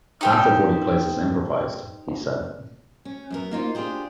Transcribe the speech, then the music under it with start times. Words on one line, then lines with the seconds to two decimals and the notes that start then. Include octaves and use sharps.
Half of what he plays is improvised, he said.
0.21 D#4 G4 C5
3.05 C#4
3.30 F#2 B3 A#4
3.51 A#3 D#4 F4 C5
3.75 D4 F4 G4 G#4 C5